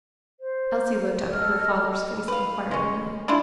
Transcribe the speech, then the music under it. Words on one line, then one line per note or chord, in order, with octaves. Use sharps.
Elsie looked up in her father's face inquiringly.
C5
A4 D#5 F6
B4 F5
G#3 C#4
D4 E4 F4